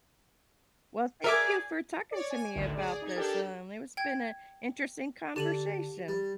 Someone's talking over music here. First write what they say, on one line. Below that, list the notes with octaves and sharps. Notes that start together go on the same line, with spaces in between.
Well, thank you for talking to me about this, um, it was been a interesting conversation.
G#4 A#4 D5 E5 D6
C#5 D5
G#5
A1 D2 A2 D3 D#3
G#4 D5
D#4 G#6
D4 G4 A4 A#4
G5 G#6
D3 G4 D#7 F#7
G3